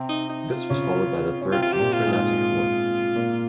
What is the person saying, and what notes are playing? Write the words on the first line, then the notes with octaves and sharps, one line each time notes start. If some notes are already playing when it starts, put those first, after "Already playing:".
This was followed by the Third Mithridatic War.
Already playing: C3 C4
D#4
D#4
F4
C#3 C#4
C#4
C3 C4 F4
F4
G4
A#2 A#3
F4
G#2 G#3
F4
A#2 A#3